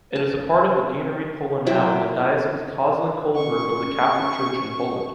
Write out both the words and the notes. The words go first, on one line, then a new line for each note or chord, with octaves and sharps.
It is a part of the Deanery Polanow in the diocese Köslin-Kolberg of the Catholic Church in Poland.
A5
F#3 E4 E5 G5
C#4 C#6